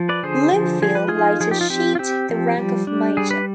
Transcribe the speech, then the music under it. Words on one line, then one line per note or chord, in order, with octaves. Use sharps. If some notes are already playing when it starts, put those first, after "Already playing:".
Bloomfield later achieved the rank of major.
Already playing: F3
B4 D5
D3 G#4 C5
F3
F3 G#4
B4
D#4 F4 G#4
F3 G#4
G4
F4
C4 G4
F4
C4 G4
F3
G3
D4
G3 G#4
B4